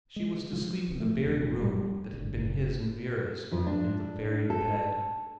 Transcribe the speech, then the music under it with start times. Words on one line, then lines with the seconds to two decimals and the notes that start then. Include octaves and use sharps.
She was to sleep in the very room that had been his and Vera's, in the very bed.
0.16 G#3
0.53 F3
1.00 A3
1.25 E1
1.62 G3
2.12 G1
2.37 F#1
3.52 F2 F3
3.67 D4
4.50 A4